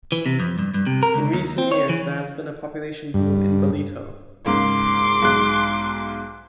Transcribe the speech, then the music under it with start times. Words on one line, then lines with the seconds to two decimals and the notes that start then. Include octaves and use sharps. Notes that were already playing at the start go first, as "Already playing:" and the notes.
In recent years, there has been a population boom in Ballito.
0.12 E3
0.26 C3
0.40 F2
0.59 G2
0.74 G2
0.87 C3
1.03 A#4
1.14 C#2
1.33 D#2
1.58 C4
1.72 C#5
1.89 E3
3.14 G2
4.46 G#2 C#3 A#3 C6 D6
5.22 B1 G#2 F#6